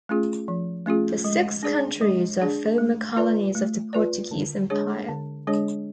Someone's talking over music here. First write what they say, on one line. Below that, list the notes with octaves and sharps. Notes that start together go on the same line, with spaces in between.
The six countries are former colonies of the Portuguese Empire.
A3 C#4 F4 G#4
F3
A3 C#4 F4 G#4
G#3
D4 G#4 D5
G#3
D4 G#4 D5
A3
F4 B4 D5
A3
F4 B4 D5
D3
G#3 D4 G#4 C#5
D3
G#3 D4 G#4 C#5